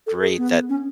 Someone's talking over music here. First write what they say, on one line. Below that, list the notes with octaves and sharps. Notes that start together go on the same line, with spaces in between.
great that,
A4
G#4
B3
C#4